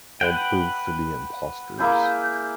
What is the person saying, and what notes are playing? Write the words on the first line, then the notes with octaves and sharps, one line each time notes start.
All proved to be imposters.
B4 F#5 G5
A#3 E4 G#4 G6